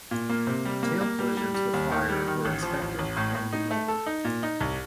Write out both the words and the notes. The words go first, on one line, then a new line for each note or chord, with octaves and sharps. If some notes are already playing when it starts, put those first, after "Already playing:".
Tail collisions with fire were expected and ignored.
A#2
A#3
C3
G3
A#3
A#3
G3
G3
G3
D#2
D#3
G3
D#3
A1
F3
A1
A1
A2
A2
D#4
A3
A4
D#4
A#2
D#4
C2